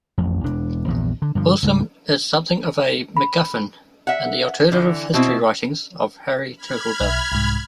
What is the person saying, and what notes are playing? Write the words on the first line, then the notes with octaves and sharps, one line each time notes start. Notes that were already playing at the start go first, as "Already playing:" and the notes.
Wilson is something of a macguffin in the alternative history writings of Harry Turtledove.
A1 F2
E1 E2 D4
A#1 E2 G2
D3
G2 D3 F3
C#2 G#2 C#3
B5
E5 F#5
D3 E3
B2 C4 E4
B5 F6 G#6
B1 E5
C2 G#2